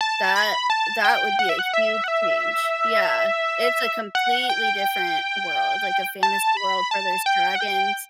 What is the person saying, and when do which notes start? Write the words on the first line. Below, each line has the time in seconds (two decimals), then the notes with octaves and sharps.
that that would be a huge change Yeah, it's a completely different world, like, a fantasy world where there's dragons
0.01 A5
0.36 B5
0.70 A5
1.05 G5
1.39 F#5
1.49 E5
1.59 F#5
1.73 E5
2.04 F#5
2.08 E5
4.15 F#5
4.50 G5
6.23 A5
6.57 B5
6.91 A5
7.26 G5
7.55 F#5
7.61 G5